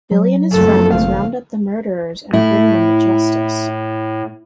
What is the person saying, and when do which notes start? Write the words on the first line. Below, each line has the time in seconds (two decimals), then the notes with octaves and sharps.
Billy and his friends round up the murderers and bring them to justice.
0.11 F#3
0.52 F#1 F2 A3 A4
0.93 G#1 F5
2.34 A2 E4